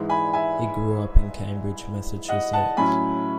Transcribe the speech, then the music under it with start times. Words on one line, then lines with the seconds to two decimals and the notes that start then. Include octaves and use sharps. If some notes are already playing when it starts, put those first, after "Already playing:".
He grew up in Cambridge, Massachusetts.
Already playing: G#2 E3 G#3
0.09 G#5 B5
0.33 E5 G#5
2.28 D#5 F#5
2.53 F#5 A5
2.77 A2 F#3 C#4 E4 G#5 B5